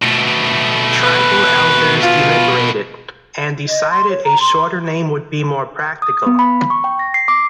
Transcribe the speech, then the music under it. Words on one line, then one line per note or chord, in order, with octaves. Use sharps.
Tribal elders deliberated, and decided a shorter name would be more practical.
B2 A3
B4
F4
D#5
C6
C#5
A#5
C6
D#6
B3
B5
C#6
G5
A#6
C7
D6